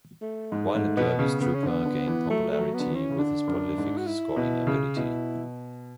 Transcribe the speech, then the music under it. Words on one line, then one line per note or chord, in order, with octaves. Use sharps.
While at Derby Strupar gained popularity with his prolific scoring ability.
A3
G#2 G#3
G#3
G#2 A3
B2 B3
C#3 B3
C#3 B3
C#4
D3 B3
D3
E3
F#3 A3
A3
F#3
B3
D3
E3
C#4
C#3
D3 D4
F#2
G#2
F#4
E4
B2
C#3
B2 E4